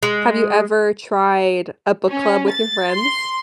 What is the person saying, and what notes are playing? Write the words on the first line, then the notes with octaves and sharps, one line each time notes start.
Have you ever tried a book club with your friends?
G#3
C#4
A6
C6